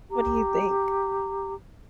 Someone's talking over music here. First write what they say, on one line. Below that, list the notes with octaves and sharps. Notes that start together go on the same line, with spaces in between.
What do you think?
G4 A#5